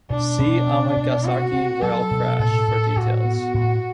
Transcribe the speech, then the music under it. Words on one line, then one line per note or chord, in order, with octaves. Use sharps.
See Amagasaki rail crash for details.
B2 D4
B2
C4
B2
C4 F#4
C4
F#3 A4
B2
A2 A4
A2
A2 F#4
B3
A2